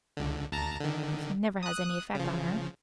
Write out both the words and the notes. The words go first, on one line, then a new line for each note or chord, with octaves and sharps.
"Coaxing never has any effect on her."
C#2 D3
D2 A5 A#5
D3 D#3
D#6 F#6
C#3 F3